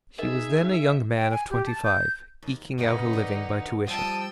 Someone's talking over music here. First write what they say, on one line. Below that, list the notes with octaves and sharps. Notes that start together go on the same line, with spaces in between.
He was then a young man of twenty-five, eking out a living by tuition.
D#4 G#4 A#4 D#5 E5
G5
G#5
G4
A5
G6
D#2
F#2 C#3 A#3 D#4 B4 F#5
D3 D#3
F3 G3 F4 G5 A5 D#6 E6